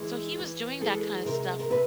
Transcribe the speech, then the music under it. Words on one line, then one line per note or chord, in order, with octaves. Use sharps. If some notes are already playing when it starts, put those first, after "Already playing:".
So, he was doing that kind of stuff
Already playing: E3 G#3
E3
G#3 A4
C3 A#4
A#4
C3 B4